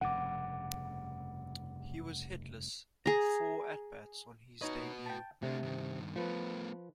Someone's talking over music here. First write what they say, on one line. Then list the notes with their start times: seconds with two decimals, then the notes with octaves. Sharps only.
He was hitless in four at-bats on his debut.
0.01 F1 G2 C#3 F#5 D6
3.06 G#4 A#5
4.61 D#4 F#4 B4 C#5 D#5
5.06 G5 A5
5.43 C3 A3 D4
5.63 G2 D#3
6.16 F3 A3 B3 B4